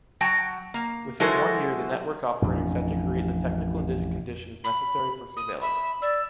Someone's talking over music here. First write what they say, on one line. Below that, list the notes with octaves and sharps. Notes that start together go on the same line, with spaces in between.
Within one year the network operators had to create the technical conditions necessary for surveillance.
F#3 F#4 G5 A5
A#3
F#3 G#3 E4 F#4 A4 C5
A1 F2 B2 D4
B5
D#6
E5 B5
D5 E6